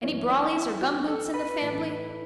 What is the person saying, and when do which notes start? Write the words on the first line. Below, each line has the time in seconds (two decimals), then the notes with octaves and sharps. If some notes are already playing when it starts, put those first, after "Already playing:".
Any brollies or gumboots in the fambly?
0.03 F#2 E3 C#4
0.29 C#4
0.55 E4
0.82 F#4
1.08 A4
1.34 B4
1.61 A2 E3